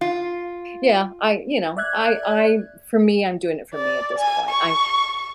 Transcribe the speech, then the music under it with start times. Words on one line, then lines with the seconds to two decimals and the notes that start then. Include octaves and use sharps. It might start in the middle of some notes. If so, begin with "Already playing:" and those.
yeah, I, you know, I I for me, I'm doing it for me at this point, I'm,
0.01 F4
1.77 D5 E5 F#6 G#6
3.75 D5
4.19 G#5
4.49 C#6